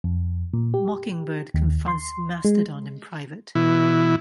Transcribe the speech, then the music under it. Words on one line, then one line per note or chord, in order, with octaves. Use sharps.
Mockingbird confronts Mastodon in private.
F2
A#2
G4
D#2
C6
G#3
B2 E3 E4